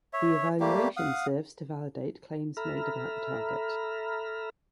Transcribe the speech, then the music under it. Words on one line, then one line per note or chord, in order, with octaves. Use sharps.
The evaluation serves to validate claims made about the target.
C#5 E5
G3 A3 A#3 G4
F5 F#5 D#6
A4 E5 A#5 B5 F6